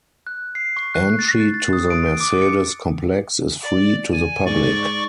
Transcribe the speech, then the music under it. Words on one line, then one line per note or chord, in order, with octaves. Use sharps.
Entry to the Mercedes complex is free to the public.
F#6
C7
C#6
F#6
A6
A6
A6
D#6
D7
D6
C#7
D5
G#5
G#2 D5 C#6